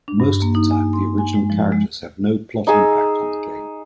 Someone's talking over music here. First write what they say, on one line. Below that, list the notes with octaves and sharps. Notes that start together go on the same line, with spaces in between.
Most of the time, the original characters have no plot impact on the game.
D4
G2
A#3
D#4
G#5
C6
G#5
G#3
F3
G#3
D#4 G#4 E6